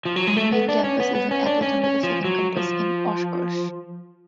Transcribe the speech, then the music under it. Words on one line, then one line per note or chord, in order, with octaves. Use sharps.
The main campus is in Appleton with a second campus in Oshkosh.
F3
F#3
G#3
A3
B3
D4
C#4
B3
B3
C#4
D4
C#4
C#4
F3
F#3
F3